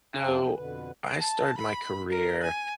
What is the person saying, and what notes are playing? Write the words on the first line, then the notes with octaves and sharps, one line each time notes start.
So, I started my career
F2 C4 C#4 G#4 F5 A5
D2 F3 B3 G5
F2 B2 D3 B4
A5
B5
A#4
G#5